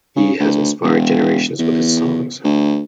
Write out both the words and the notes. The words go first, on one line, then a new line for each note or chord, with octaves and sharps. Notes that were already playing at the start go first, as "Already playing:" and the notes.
He has inspired generations with his songs.
C#3
D2
E1
E2
D2